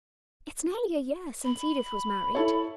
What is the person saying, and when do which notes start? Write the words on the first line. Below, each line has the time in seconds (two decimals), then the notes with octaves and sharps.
It's nearly a year since Edith was married!'
1.45 B5
2.35 E4 A4 C#5